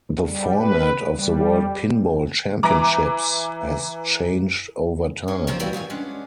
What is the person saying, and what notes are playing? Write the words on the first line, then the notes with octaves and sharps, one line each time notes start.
The format of the World Pinball Championships has changed over time.
G3
B4
G3
E3 A#5 D6
C#4 D4
A#2 D#3 F3 C4 D#4 F4
A2 E3 G3 F4 F#4
D#2 C3 F4 G#5
G#3 B3 C#4 D4